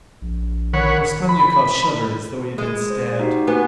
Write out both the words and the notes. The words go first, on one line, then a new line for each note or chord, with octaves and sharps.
Raskolnikov shuddered as though he had been stabbed.
A#1
D#3 A#4 C#5 F#5 B5
B5
G#3 D#6
C5
D#4 F#4 G4
B3 F#4 A4 G#5